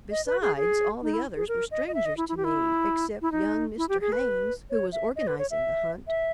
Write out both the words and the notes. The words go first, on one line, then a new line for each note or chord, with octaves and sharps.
Besides, all the others were strangers to me except young Mr. Haynes, who was organizing the hunt.
D#5
B4
G#4
G#4
D#4
E4
G#4
A#4
D#5
D#5
E5
D#5
E4
E4
G4
E4
E4
D#4
E4
G4
G#4
B4
C#5
E5
D#5
B4
C#5
E5
E5